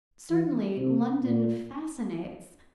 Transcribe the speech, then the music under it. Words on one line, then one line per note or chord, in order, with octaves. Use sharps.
Certainly London fascinates.
E3
C3
A#2